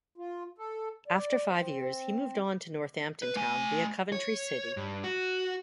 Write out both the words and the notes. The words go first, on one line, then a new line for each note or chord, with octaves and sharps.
After five years he moved on to Northampton Town via Coventry City.
F4
A4
D5
C4
B4
A3 G#5
C#5
G2
F#4